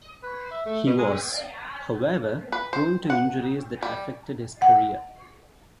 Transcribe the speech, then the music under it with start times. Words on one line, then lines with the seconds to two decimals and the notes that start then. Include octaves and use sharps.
He was, however, prone to injuries that affected his career.
0.23 B4
0.51 E5
0.66 A3
0.87 B2
0.98 G#3
2.52 B4
2.73 C5
3.10 F#5
3.83 G3
4.62 F#5